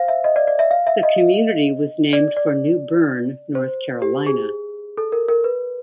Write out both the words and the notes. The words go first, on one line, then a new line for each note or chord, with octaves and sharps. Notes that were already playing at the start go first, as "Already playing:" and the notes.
The community was named for New Bern, North Carolina.
Already playing: C5 F5
E5
D#5
D5
D5
E5
F5
E5
D#5
D5
D5
C5
G4
G#4
A4
A#4
A#4
B4